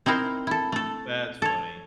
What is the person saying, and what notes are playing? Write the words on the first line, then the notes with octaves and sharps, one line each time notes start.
That's funny.
C4 D#4 E4 A#4 C5
E4 A4
A3 A4
A4 C#5